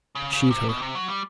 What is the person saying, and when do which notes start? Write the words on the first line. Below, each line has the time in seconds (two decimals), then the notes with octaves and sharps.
Cheat her.
0.15 C#3
0.33 C#3
0.50 C3
0.69 B2
0.82 C3
0.95 F#3
1.08 G3